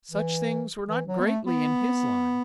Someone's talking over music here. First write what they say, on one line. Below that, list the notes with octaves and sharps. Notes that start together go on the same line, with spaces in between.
Such things were not greatly in his line.
E3
E3
F#3
B3
A3
B3